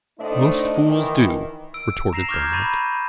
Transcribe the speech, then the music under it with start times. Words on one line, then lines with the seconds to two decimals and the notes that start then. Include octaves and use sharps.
"Most fools do," retorted Thorndyke.
0.19 A2 A3 D4 D#4 C5 D#5
0.86 D#3 E3
1.74 E6 D7
2.13 A#5 A#6 C7 E7 F7
2.29 C#6 D6 F6 G6 G#6
2.53 B5 A6 D#7